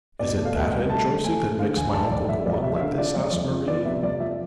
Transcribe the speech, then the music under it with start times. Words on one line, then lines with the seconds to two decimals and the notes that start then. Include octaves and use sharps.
'Is it that, Aunt Josey, that makes my uncle go on like this?' asked Marie.
0.19 B2 D5
0.37 A3
0.45 F5
0.55 B2 E5
0.72 C2
0.89 A3 A5
1.07 A3
1.24 A3 G#5
1.42 A3
1.59 D3 F5
1.76 F1 G#5
1.93 F1 A5
2.11 F1 D5
2.29 F1 E5
2.46 F2 D5
2.63 F1 E5
2.76 E5
2.80 D3 F5
2.98 F3 D5
3.16 F2
3.33 F2
3.50 F3
3.68 B3 D5
3.85 C3 E5
4.03 F2 D5
4.20 F3 E5